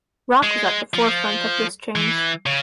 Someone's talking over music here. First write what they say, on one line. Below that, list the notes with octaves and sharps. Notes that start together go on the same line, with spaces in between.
Rock was at the forefront of this change.
G#3
F3
E3
C#3